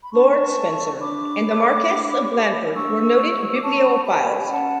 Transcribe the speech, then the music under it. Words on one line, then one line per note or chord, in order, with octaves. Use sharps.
Lord Spencer and the Marquess of Blandford were noted bibliophiles.
B5
D4 A5 C#6
A4 C#5
D4 B5 D6
A4 C#5
D4
G4 C#5
D4 C#6 E6
G4 C#5
D6
C#4 A5 C#6
G4 C#5 G5 B5
G5
C#4 F#5 A5